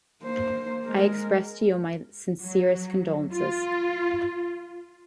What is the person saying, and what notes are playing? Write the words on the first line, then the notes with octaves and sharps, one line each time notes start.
I express to you my sincerest condolences.
A#3 C5
G#3 A#4
F#3
F4